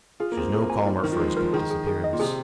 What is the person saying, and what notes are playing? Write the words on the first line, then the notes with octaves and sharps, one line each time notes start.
She was no calmer for his quick disappearance.
F4 G#4
A#3
C4 G#4
G#4
G#5
D#4
D#3 A#4
F3
G#3 D#4
F3 A#4
D#3 G#4
G#4
G#4
D#5
A#2
C3 G#4